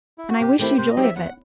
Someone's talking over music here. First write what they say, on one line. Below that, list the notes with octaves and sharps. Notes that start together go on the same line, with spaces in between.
And I wish you joy of it!
E4
F#4
C3 G4
D#3 A3 C4 E4 G4
C3 C5
D#5
F#3 C4 D#4 G4
E5
E2 F#5